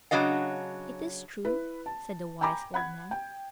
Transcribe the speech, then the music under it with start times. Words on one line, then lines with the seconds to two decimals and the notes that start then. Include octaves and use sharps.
"It is true," said the wise old man.
0.11 C#3 F#3 D4 D#5 F5
1.45 E4 B4
1.86 A5
2.41 G5 G#5 A#5 B5 D6
2.74 F#5 B5 G#6
3.11 G5